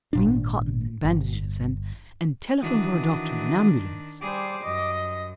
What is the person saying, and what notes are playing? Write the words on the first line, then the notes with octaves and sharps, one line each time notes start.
"Bring cotton and bandages, and--and telephone for a doctor, an ambulance!"
G#1 A#2 D4
G1
D#3 E3 D4 F#4 D#6
G3 G#4 C5 D6
F#2 D#5